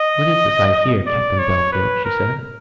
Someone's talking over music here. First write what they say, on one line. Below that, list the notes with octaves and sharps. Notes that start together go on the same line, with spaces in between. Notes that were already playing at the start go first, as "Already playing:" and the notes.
"What is this I hear, Captain Bellfield?" she said.
Already playing: D#5
D5
C#5
B4
A#4